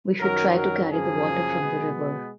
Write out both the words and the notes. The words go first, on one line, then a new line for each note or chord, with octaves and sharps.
We should try to carry the water from the river.
F#2 D#3 F#3 A#4
A#4
F#2 C#3 F3 A#3 G#4
B2 G#3 B3